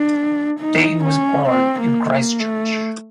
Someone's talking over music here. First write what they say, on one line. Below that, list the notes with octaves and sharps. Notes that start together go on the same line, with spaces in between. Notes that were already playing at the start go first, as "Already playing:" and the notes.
Thain was born in Christchurch.
Already playing: D4
D#4
C#4
C4
A#3
A#3
A3